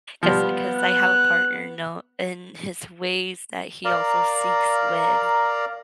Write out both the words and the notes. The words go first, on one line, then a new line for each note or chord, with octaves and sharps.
'cause 'cause I have a partner, no, and his ways that he also seeks with,
F3 G3 B3
F#6
A#4 D5 F5 A#5